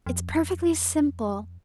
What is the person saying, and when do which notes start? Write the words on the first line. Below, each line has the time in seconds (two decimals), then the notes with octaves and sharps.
It's perfectly simple.
0.06 F2